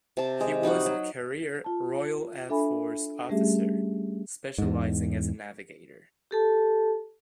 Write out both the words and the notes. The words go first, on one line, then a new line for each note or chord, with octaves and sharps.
He was a career Royal Air Force officer, specialising as a navigator.
C3 A5
G#3
G3 D#4 F#4 F#5
F#3
F4 A5
D4 A4 E5 G#5 B5
G3 A3 C#4 G4 G#4 E5
E2 G#2
G4 A4 A5